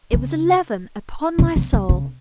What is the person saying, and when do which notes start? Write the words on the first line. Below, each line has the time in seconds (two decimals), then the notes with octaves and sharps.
It was eleven, upon my soul!
0.13 C#3
1.39 C#3
1.56 C#3
1.73 C#3
1.89 C#3